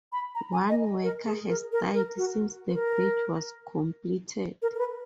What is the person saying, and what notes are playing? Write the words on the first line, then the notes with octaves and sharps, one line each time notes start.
One worker has died since the bridge was completed.
B5
A#5
G#5
D#5
A#4
G#4
A#4
A#4
A#4
F#4
B4
A#4
A#4
A#4
B4